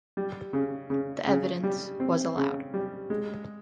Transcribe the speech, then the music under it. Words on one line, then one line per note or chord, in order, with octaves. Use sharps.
The evidence was allowed.
G3
C#3
C#3
C#3
G3
C4
C#3
G3
G#3